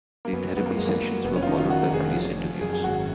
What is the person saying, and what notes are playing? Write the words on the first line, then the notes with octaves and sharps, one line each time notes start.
The therapy sessions were followed by police interviews.
A#3
F#2 B3
F#2 B3
A#3
F#2 G#3
A#3
F#2
F1 B3
C#4
F4
D#3 D#4
F4
D#3 F#4
F1 G#4
F3
F3
F#2 G#4
G#4
G#1 F#4